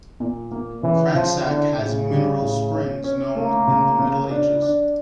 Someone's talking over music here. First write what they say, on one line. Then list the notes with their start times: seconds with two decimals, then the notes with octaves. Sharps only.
Cransac has mineral springs, known in the middle ages.
0.20 A#2
0.52 A#3
0.83 C#3 E3
1.14 C#3 F3
1.46 D3 E4
1.78 A2 C#3
2.09 G3
2.41 A2
2.73 C#4
3.04 C#4
3.36 A3 A#3
3.67 C#3
3.99 C#3
4.31 D4
4.62 D4